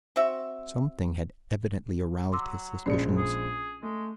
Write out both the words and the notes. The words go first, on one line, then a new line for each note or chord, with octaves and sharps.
Something had evidently aroused his suspicions.
C4 F#4 E5
F#3 C6 D6 E6
A#1 G#3 C#4 D5 C#7
G#4
G#3 A3